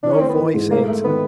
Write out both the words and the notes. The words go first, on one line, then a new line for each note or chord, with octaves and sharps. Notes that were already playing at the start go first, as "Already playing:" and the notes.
No voice answered him.
E3 D4
C#4
A3 C4
B3
E3
G#2
A3 A#3
A3
D#3 B3